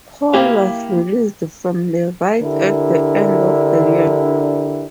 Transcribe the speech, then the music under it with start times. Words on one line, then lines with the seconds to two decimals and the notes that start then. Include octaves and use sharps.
Hall was released from the ride at the end of the year.
0.34 A#3 E4 G4 F5
2.41 D3 D4 E4 G4 A#4